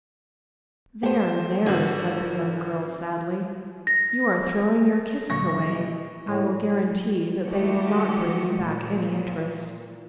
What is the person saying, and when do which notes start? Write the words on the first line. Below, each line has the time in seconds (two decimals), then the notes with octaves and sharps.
"There, there," said the young girl, sadly, "you are throwing your kisses away; I will guarantee that they will not bring you back any interest."
1.03 A3 G4 C5
1.66 G#1 D3 F#4
3.87 A#6
5.30 D2 A#2 F#3 C#6 A#6
5.70 E3 G4 D#5
6.26 A2 G#3
7.46 D#3 G#3 A3 F#4 G4
8.56 A#2